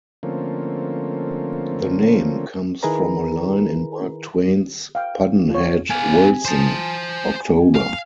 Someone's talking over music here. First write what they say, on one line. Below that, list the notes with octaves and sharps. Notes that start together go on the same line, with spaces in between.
The name comes from a line in Mark Twain's Pudd'nhead Wilson: October.
D3 F3 A3 A#3 C4 C#4
D#3 E4 G#4 A#4 B4 A#5
F5 G5
F4 C#5
B3 F5 G#5
C5 A5
F5